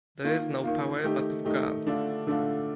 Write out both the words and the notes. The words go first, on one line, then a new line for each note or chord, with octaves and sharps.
There is no power but of God.
D#3 A#3 F4
D#3 A#3 F4
D#3 A3 D#4 G4
D#3 A3 D#4 G4
D3 A3 D4 F4
D3 A3 D4 F4